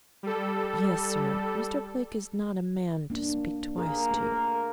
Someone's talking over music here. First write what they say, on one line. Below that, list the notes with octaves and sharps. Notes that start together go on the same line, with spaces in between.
"Yes sir; Mr. Blake is not a man to speak twice to."
G3 A4
A#3 D4
A#3 G#4
A3 A#4